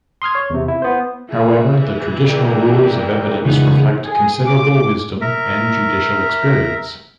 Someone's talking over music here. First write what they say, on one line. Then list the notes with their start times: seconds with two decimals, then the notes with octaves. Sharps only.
However, the traditional rules of evidence reflect considerable wisdom and judicial experience.
0.22 C6 D#6 F6 G#6
0.35 C#5
0.50 E2 C3
0.68 E4
0.82 B3 C5
1.29 E3 E4 G#4
2.28 A#4 D5 G5
3.45 F2 A#2 C#3 E3 G#3 B3 D#4 G#4
4.06 G#4
4.48 D6
5.21 A#4 E5